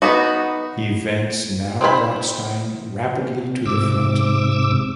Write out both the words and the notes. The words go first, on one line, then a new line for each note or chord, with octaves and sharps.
Events now brought Stein rapidly to the front.
B3 D#4 F#4
C4 D#4 C#5 B5
G#2 C3 D6 E6